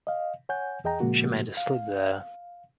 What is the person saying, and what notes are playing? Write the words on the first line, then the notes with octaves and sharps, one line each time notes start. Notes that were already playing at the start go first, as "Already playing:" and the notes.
She made a slip there.
D#5 F5
C#5 F#5 G#5 G6
E2 G#4 D#5 G5 A#5
A#2 C#3 F3 G#3 A#3 F#4
F5